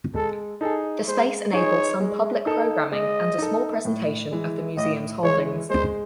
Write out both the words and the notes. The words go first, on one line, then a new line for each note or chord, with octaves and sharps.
The space enabled some public programming and a small presentation of the museum's holdings.
G#3 A4
D#4 G#4 A4
G#3 C5
D#4 G#4 C#5
G#3
D#4 A4
G#3 D#5
D#4 A4
A2
E3 G#3
A2 D#5
E3 G#3 C#5
G#3 C5